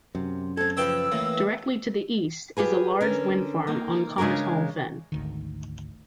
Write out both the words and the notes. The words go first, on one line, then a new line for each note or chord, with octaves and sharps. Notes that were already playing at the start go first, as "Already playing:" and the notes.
Directly to the east is a large wind farm on Conisholme Fen.
F#2 C3
C4 A4 G#6
C#3 E3 F3 B4 G5 A5 E6
A2 E3 A#3
F4 G4 G#4 B4
D3 C#4 A#4
A#3 D#4
C#3 G#3 D4 G#4 A#4
G#1 D2 D#3